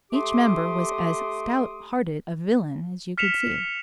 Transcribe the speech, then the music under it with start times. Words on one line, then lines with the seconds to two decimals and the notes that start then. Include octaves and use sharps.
Each member was as stout hearted a villain as you could see.
0.12 A3 G4 C6 D6 D#6
3.18 F6 B6 C#7 E7 F7